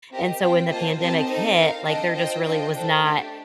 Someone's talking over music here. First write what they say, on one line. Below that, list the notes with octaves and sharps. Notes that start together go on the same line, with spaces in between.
And so when the pandemic hit, like, there just really was not
C4 G4 A#4 D#5
C4 F4 C5 G5
A#3 F4 C5 D#5 A5
C4 G4 A#4 D#5 A5
C4 D#4 A4
D#4 A#4 F5
D4 A4 D#5 G5
F4 C5 D#5 G5
D4 F4 C5 D#5 G5
D4 A4 C5 G5
A3 D4 G4